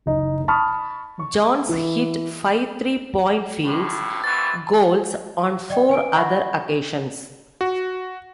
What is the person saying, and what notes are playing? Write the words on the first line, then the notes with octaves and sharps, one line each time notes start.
Jones hit five three-point field goals on four other occasions.
F#1 D#4
A5 B5 C#6 D#6 F6
C#6
E3
F2 A2
F2 B2 E3 A6
D5 D#5 G5
B4 G#5 D7
D#5 F#5 B5 C#6 A#6
F#4